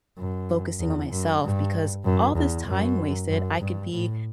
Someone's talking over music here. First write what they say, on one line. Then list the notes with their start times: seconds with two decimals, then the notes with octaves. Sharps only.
focusing on myself, because all this time wasted, I could be,
0.18 F#2
0.79 E2
1.10 F#2
1.42 G2
2.04 F#2
2.36 E2
2.66 F#2
3.29 F#2
3.60 G2
3.91 A2